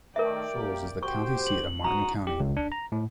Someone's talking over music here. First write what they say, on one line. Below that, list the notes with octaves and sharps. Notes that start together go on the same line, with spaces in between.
Shoals is the county seat of Martin County.
D#3 A3 A#4 D5 E5 G5
G3 A#3 G4
F#4 G4 C5 G5 C#6
F#7
G#2 B2 F#4 A#5 D#6
G4
C#2
D4
A#5
A2